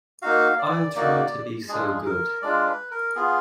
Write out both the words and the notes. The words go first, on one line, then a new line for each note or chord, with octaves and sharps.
I’ll try to be so good.
A#3 D#4 F#4 F5
D5
A#3 D#4 F#4 D5
D5
G#3 D4 F4 G#4
A#4
G#3 D4 F4 D5
B4
A#4
B3 F4 G#4